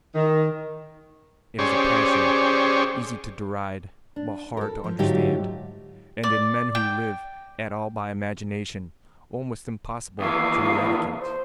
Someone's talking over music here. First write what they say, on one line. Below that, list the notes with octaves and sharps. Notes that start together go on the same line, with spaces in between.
It is a passion easy to deride but hard to understand, and in men who live at all by imagination almost impossible to eradicate.
D#3
C#4 G4 G#4 C5 D5 C#6
D4
A4 A#4
F3
G#2 D3 F#3 A3 F4 G4
D5
G5
D#2 E3 F5 C#6 D#6
C5